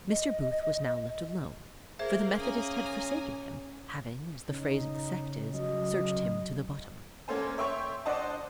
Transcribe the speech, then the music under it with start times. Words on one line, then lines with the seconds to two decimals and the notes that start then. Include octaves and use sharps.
Mr. Booth was now left alone; for the methodist had forsaken him, having, as the phrase of the sect is, searched him to the bottom.
0.09 D#5
1.99 A#3 G#4 A#4 C5 E5 F5
2.38 C#4 G#5 A#5 D#6
4.49 C#3 D#4
5.54 F#3 D#5
7.28 A#3 C#4 A4 C5 G#5
7.58 C#5 E5 G5 C6 C#6
8.06 D4 C5 D5 D#5 F#5 A5